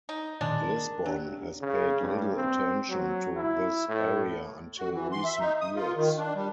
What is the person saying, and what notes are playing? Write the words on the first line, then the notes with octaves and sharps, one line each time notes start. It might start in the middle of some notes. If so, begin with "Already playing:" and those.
Lisbon has paid little attention to this area until recent years.
D#4
A#2 D#3 G#3 D4
A#4
F#3 D4 G4
C#3
G2
C4
F#3
E4
A2
F#4
E3
C6
E5
D#4
D#6
F4
D#3
D4
G3